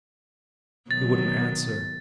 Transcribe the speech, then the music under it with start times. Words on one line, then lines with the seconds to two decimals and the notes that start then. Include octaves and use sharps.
He wouldn't answer.
0.91 B2 D#3 F#3 A6